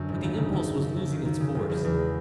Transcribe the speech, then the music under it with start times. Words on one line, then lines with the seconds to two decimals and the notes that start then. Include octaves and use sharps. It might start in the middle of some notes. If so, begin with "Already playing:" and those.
"But the impulse was losing its force."
Already playing: F#2 D3
0.09 G#1
0.23 D#2
0.37 C#3
0.53 D#2
0.67 D#2
0.82 D#2
0.96 D#2
1.12 D#3
1.25 D#2
1.40 C#3
1.55 F#1
1.70 E2
1.84 E2
1.99 G#3